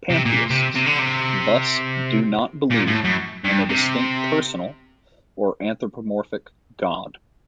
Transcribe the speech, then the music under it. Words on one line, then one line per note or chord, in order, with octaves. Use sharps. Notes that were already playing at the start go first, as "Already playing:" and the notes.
Pantheists thus do not believe in a distinct personal or anthropomorphic god.
C3
A#2
C3
C3
D3
C3
A#2
A2
F#2
G2
C3